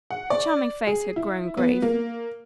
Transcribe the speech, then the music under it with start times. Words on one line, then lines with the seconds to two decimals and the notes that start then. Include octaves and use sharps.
Her charming face had grown grave.
0.11 F#5
0.30 D5
0.87 G#4
1.16 E4
1.57 B3
1.82 A#3